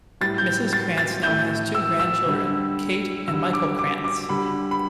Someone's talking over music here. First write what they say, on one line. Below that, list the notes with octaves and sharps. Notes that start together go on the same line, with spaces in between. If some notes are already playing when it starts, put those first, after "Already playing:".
Mrs. Krantz now has two grandchildren, Kate and Michael Krantz.
A2 G3 A6
G6
A6
A6
A2 A3 G6
E6
E6
D3 G3
D3 G3 E6
D6
D6
D6
D3 G3 B5
B5